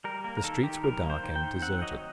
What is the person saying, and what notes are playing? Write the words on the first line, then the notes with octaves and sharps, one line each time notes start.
The streets were dark and deserted.
G3 A#4
A#3 A#4
A#4
D#3 A4
D#3 G4
G3 A#4
A#3
C5
D#3
G5
D#3
C4 F#5
F#3 D#5